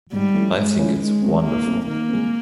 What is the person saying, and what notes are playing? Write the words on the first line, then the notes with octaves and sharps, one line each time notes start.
I think it's wonderful.
G#2 G3
F3 A3 C#4 E4
G#2 G#3
F3 A3 C#4 E4
D#3 G#3
F#3 A3 C4
D#3 A#3
F#3 A3 C4
D#3 A#3
G#3 C4